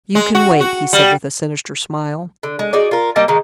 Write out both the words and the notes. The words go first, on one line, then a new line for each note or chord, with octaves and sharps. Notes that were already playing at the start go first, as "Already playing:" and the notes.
"You can wait," he said with a sinister smile.
G#3
F#4
F#4
G3
D3
G#3
D#4 F#4 G#4 D5
F4 A#4
G3 A#3 D#5 A5
D#3 G#3 A#3 D#4